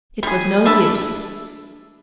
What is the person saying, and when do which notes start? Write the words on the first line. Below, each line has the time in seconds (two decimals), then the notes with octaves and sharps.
It was no use.
0.23 G3 G#4
0.65 D4 E5 A5 B5